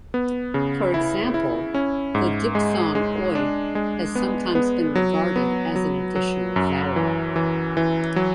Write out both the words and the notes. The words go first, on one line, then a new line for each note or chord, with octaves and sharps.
For example, the diphthong oi has sometimes been regarded as an additional vowel.
B3
C#3
E4
E4
C#4
G#2
G#3
G#3
D4
G#3
B3
B3
F#3
B3
F#3
F#3
F#2
E3
E3
E3
F#3